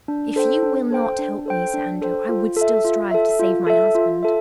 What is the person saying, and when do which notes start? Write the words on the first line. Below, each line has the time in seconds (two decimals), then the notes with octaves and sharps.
If you will not help me, Sir Andrew, I would still strive to save my husband.
0.08 D4
0.36 A4 C5 G5
0.63 D4
0.91 A4 C5 G5
1.19 D4
1.46 A4 C5 G5
1.74 D4
2.01 A4 C5 G5
2.29 F4
2.56 A4 E5
2.84 F4
3.11 A4 E5
3.40 F4
3.67 A4 E5
3.95 F4
4.23 A4 E5